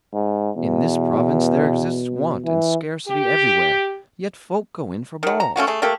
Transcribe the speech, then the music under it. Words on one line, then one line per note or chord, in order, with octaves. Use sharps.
In this province there exist want and scarcity everywhere: yet folk go in for balls!
G#2
E2 B2
E3
G4
D#3 F#3
A#5
A3 C#4 F4 F#4
A3 G#4
A3 A#3 G4 A4